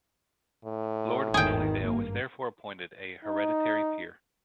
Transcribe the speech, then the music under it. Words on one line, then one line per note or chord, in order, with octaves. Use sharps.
Lord Wensleydale was therefore appointed a hereditary peer.
A2
G#1 E2 D#3 G#4 G5
G2 A#3
D#4